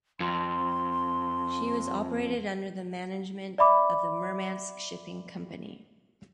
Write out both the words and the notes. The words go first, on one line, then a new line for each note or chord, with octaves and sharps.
She was operated under the management of the Murmansk Shipping Company.
F2 C6
D5 E5 B5 D6